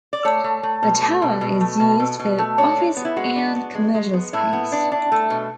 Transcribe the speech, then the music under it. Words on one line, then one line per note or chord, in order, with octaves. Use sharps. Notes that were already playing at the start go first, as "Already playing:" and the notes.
The tower is used for office and commercial space.
D5
A3 C#5
A3
A3
B2
A3
B2
B2
A3
B2
B2
B2
A3
D4 C#5
G#3
B3
E4
G#3 F#4
D4
B3
G#3
G#3
B3
A2 E4
B3
D4
D4
A3
B2